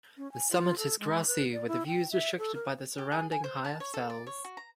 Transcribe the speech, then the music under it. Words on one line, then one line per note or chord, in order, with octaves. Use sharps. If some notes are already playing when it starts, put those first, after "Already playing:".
The summit is grassy with views restricted by the surrounding higher fells.
C#4
G#5
F4
A4
G#3
B4
D5
E4
G5
E5
A4
A#4
G4
G#4
G#5
C5
A5
C#5
A4
D5
C#5
F#4
A#5